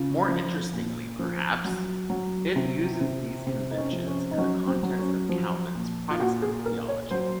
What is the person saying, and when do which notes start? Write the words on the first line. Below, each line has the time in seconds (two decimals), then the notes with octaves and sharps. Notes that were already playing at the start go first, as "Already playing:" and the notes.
More interestingly perhaps, it uses these conventions in the context of Calvin's Protestant theology.
Already playing: C#3 F4
0.29 F3
0.73 A#2
1.19 F3
1.64 F#3
2.10 F#3
2.56 C3
3.01 C3
3.47 C3
3.71 D#4
3.77 C#4
3.93 F3
4.07 C#4
4.31 D#4
4.38 F#3 C#4
4.67 C4
4.83 F#3
4.99 C#4
5.29 F3
5.75 A#2
6.11 F4
6.20 A#2 F#4
6.42 G#4
6.66 A#2 A#4
6.88 C#5
7.11 F#3 C5